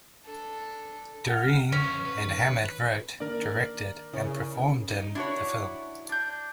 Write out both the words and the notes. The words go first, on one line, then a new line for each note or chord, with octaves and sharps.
Deren and Hammid wrote, directed and performed in the film.
D4 A4
F#5 F6
F2 D3 C#4
B4
D#3
D#3 A#3 D4 A#4 D5
C#3 E4
D#4
D4 E4 F#4 C#5
D4 G6